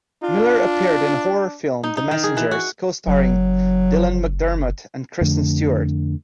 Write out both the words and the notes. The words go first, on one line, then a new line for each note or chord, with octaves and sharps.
Miller appeared in the horror film "The Messengers", co-starring Dylan McDermott and Kristen Stewart.
D4 F4
D#4
D#4
D#3
G#4
E3
F#4
F#1 F#3
F2 D3 A3